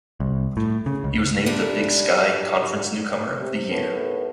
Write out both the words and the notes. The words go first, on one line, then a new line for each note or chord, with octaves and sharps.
He was named the Big Sky Conference Newcomer of the Year.
C2
A2
C#3
C#2
A#2 G3 D4 E4
C3
D#2 A2 B3